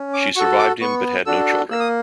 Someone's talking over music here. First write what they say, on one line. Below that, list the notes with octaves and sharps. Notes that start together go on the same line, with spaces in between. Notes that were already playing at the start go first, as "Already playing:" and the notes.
She survived him but had no children.
Already playing: C#4
D6
F#4 A4 C#6
D6
B3 C#6
D4 F#4 A4 E6
A#3 E6
D#6